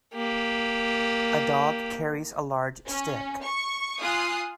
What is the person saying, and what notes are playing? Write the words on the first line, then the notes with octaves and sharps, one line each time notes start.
A dog carries a large stick.
A#3 G4
C#4
C#6
F4 F5 G#5 D#6 F#6 C7